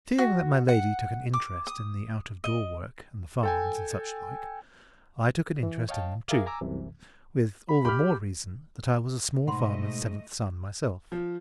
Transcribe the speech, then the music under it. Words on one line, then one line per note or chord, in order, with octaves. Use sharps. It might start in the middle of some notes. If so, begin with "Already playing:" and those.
Seeing that my lady took an interest in the out-of-door work, and the farms, and such like, I took an interest in them too--with all the more reason that I was a small farmer's seventh son myself.
F#4
F#5
D6
D#6
D#5
A4 G5 G#5
E3
C#5 D#5 F5 G5 A5
G#4 A#4 E5 F5 D6
G#5 A#5 D6 E6
C2 F#2 C3 E3
B5
G4 B5 F6
G#2 B2 A3 D#5 F#5 B5 C6
F3